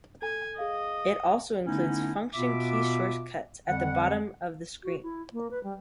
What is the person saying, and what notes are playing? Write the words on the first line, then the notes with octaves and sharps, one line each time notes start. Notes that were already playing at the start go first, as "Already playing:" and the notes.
It also includes function key shortcuts at the bottom of the screen.
A4 G#5
G#4 D#5 F5
D3 A3 B3 C#4 D#4 E4
B2 B3 F4 E5 D6
F2 D3 G3 F#5
F#4
E4
A#3
B4
G3